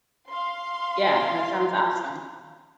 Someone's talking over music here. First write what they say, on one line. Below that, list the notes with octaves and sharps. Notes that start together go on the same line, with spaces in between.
Yeah, that sounds awesome.
F5 C6